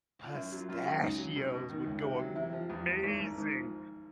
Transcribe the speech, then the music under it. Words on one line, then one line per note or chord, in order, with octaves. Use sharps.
Pistachios would go amazing.
F4
F#2 E4
F#3 F4
F#2 F4
F#3 E4
C#2 D#4
F#3
B2
B2
D#3
C#2
C3
F#3
C3 E4
F3
E2
E2
G#1
G#1
G#2
F3